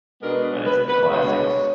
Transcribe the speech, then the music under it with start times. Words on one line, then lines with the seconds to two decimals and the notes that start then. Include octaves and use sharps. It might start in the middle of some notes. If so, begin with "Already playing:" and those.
But it's the classics.
0.21 B2 G#3 B3 D4 A#4
0.43 B4
0.66 B4
0.88 B4
1.10 B2 G#3 B3 D4 C#5